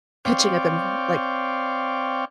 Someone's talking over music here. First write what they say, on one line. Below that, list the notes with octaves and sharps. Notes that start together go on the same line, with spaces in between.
pitching at them, like,
C4 C#5 D5 F5 G5